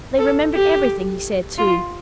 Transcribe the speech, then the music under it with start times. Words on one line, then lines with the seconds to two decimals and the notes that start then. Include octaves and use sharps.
They remembered everything he said, too.
0.19 A4
0.54 G4
1.58 F4